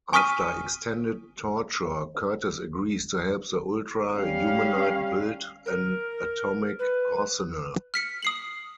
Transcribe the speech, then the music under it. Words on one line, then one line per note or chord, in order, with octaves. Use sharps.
After extended torture, Curtis agrees to help the Ultra-Humanite build an atomic arsenal.
G#5 C#6 D#6 F6 B6 D#7
G3 C#4 F5
A#4
B4
F6 B6 C#7
D#6 C7 F#7